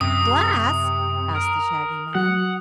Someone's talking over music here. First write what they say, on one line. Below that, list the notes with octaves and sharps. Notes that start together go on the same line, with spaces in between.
"Glass?" asked the Shaggy Man.
F#2 C3 D#6
A#4
F#3 F#4 F#5